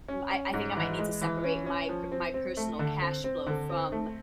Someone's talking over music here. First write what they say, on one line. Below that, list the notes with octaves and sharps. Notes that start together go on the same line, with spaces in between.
I I think I might need to separate my p my personal cash flow from
C#4
C#4
G#2
E3
G#3
E3
C#4
C#4
F3
C4
C4
A3
D3
C4
C4
D3
C4
A3